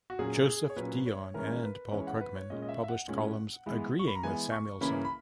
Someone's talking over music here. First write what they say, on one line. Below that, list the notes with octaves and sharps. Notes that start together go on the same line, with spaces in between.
Joseph Dionne and Paul Krugman published columns agreeing with Samuelson.
F#4
A#2 F#3 C#4 G#4
G#4
C#5
A#2 F#3 C#4 B4
C#5
E3 G#3 C#4 A#4
B4
E3 G#3 C#4 C#5
F#5
B4
C#5
A#2 G#3 C#4 D#5
D#5
E5
E5
F#5
A#2 G#3 C#4
E3 G#3 B3
C#6
B5
A#5
E3 G#3 B3 G#5
C#6
C#3 E3 A#3 C#4 B5
B5